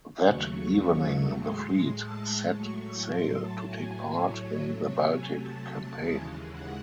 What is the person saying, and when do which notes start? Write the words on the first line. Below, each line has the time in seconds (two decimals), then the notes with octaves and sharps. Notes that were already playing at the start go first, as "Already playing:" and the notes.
That evening the fleet set sail to take part in the Baltic campaign.
0.25 D#2 C#3 F#3 A3 C#6
0.54 C#6
0.82 C#6
1.38 A2 G#3 C6
1.96 A5
2.53 A2 F#3 A3 C#6
3.10 C6
3.38 A5
3.66 A2 F#3 A3 G#5
4.24 C#5
4.80 C3 F#3 A3 C#5
5.08 G#5
5.37 A5
5.93 D#2 C#3 E3 G#3
6.50 F#5